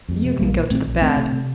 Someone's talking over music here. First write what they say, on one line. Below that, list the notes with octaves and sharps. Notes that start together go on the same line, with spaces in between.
You can go to the bad.
F2
C3
A#1 G3 A#3
A#2
A#2 A3 C4
A#1
D2 A3 C4
C3
C3